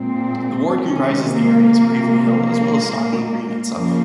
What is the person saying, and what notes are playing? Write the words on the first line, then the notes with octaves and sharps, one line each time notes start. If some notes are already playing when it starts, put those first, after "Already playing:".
The ward comprises the areas Gravelly Hill as well as Stockland Green itself.
Already playing: A#2 G#3 C4
C3 D#3 G#3 C#4
A#3
C3 F3 G#3
A#3
A#2 G#3
A#3
F2 C#3 F3 A#3